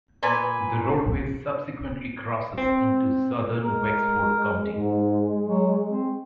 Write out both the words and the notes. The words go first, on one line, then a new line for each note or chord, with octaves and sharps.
The roadway subsequently crosses into southern Wexford County.
A#2 B4 G#5
C4
G#3 A#4
G#2
F#3
C4